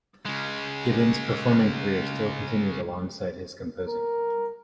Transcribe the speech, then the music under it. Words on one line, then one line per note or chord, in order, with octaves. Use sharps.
Gibbons' performing career still continues alongside his composing.
C#3 G#3
A#4